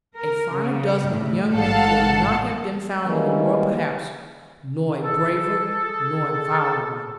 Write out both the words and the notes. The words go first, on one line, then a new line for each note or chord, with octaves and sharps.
A finer dozen of young men could not have been found in the world perhaps, nor a braver, nor a viler one.
A#4
C#3
A2
A1 G#2 A4 F5 F#5 A5
D#3 E3 G3 G#3 A#3 C#4
G#4 A4